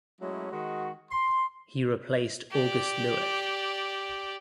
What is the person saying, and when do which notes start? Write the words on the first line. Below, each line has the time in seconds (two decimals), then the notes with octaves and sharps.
He replaced August Luik.
0.21 F#3 G#3 A3 C#4 E4
0.52 D#3 G#3 F#4
1.11 C6
2.51 G4 D5